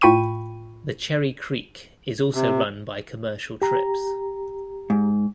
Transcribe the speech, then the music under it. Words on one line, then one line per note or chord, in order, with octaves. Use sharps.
The Cherry Creek is also run by commercial trips.
A2 F4 G5 B5 C#6 D#7
C3
G4 A#5
G#2